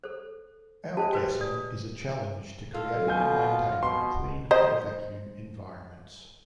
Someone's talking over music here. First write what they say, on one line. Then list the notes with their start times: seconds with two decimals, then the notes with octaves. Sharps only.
Outgassing is a challenge to creating and maintaining clean high-vacuum environments.
0.04 A4 C5
0.97 G4 G#4 C5 D#5 A5
1.13 F#4 B4 C5
1.41 D5 D#6
2.74 F4 A4
3.08 B2 G#5 G6
3.83 B2 C6
4.51 C5 D#5